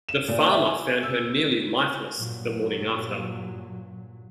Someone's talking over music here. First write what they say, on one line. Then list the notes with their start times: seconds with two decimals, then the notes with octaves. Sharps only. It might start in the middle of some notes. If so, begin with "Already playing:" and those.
The farmer found her nearly lifeless the morning after.
0.09 E7
0.28 A#2
0.52 E5
0.67 G#5
1.03 E6
2.17 G2 A#2 F#3